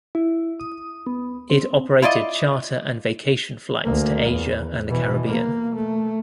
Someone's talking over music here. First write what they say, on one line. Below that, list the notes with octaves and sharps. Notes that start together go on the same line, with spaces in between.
It operated charter and vacation flights to Asia and the Caribbean.
E4
D#6
B3
C4
E4 F4 D5 D#5
D2 A#3
E2
B2 E3
A#3
A3